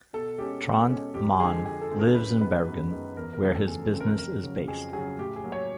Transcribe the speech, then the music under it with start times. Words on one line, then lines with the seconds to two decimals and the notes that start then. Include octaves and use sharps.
Trond Mohn lives in Bergen, where his business is based.
0.13 B2 A4
0.38 G#3 C#4 G4
0.64 B2
0.89 G#3 C#4
1.14 F2 G4
1.40 D3 F3 G#3 C4 G#4
1.65 F2 G#4
1.81 A4
1.90 D3 F3 G#3 C4
1.99 A#4
2.15 F#2 B4
2.40 D#3 G#3 B3 B4
2.67 F#2
2.91 D#3 G#3 B3
3.17 E2 A#4
3.33 A#4
3.41 C#3 F3 A3 C4
3.50 A4
3.67 E2 G#4
3.84 A4
3.92 C#3 F3 A3 C4
4.00 A#4
4.17 F2 A#4
4.43 C#3 F#3
4.68 F2 G#4
4.93 C#3 F#3 G#4
5.19 A2 G4
5.36 G#4
5.44 F#3 A#3
5.52 C#5